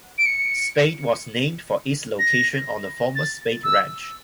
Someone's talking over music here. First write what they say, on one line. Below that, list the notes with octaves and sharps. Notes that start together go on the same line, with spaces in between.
Spade was named for its location on the former Spade Ranch.
D7
C#7
A#6
A6
E6